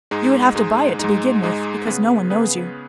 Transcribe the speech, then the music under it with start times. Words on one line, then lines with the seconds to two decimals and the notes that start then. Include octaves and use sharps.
You would have to buy it to begin with, because no one knows you.
0.11 G#2 G#3 D#4
0.55 G#2 G#3 D#4
0.99 G#2 G#3 D#4
1.43 G#2 G#3 D#4
1.86 C#3 B3 G#4 B4
2.30 C#3 B3 G#4 B4